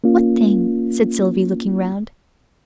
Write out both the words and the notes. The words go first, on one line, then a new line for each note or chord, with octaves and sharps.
"What thing?" said Sylvie, looking round.
A#3 C#4 F4